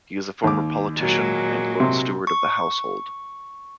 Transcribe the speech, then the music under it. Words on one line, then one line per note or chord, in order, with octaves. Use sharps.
He is a former politician and Lord Steward of the Household.
D#2 D6
A#2 F#3 G#3
C3
C#6